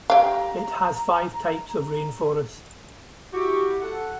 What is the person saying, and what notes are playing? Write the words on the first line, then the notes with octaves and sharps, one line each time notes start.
It has five types of rainforest.
G4 F5 A#5
E4 F#4 G4
A4 F#5